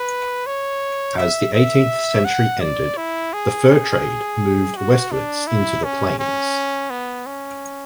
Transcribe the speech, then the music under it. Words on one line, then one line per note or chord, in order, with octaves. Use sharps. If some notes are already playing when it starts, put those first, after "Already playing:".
As the eighteenth century ended, the fur trade moved westwards into the Plains.
Already playing: B4
C#5
E5
E5
F#5
D5
E4
G#4
G#4
F#4
D4
E4
C#4
C#4
B3
C#4